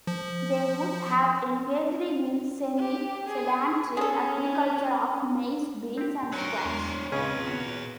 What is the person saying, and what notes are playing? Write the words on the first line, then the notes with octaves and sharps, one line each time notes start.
They would have engaged in semi-sedentary agriculture of maize, beans, and squash.
F3
G4
G#4
C#4 G#4 A4
C4 G4
F#3 D4 A#4 C#5 C6
E2 G#3 B3
C#2 A#2 C#3 C4 C#4 G#4 B4
B3 F4 F#4 C#5